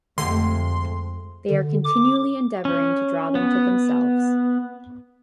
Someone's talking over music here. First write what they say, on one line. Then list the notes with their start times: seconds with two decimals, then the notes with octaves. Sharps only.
They are continually endeavoring to draw them to themselves.
0.18 F2 D3 G#3 A3 G4 C6
1.50 D3
1.84 D6
2.65 C#4
3.35 B3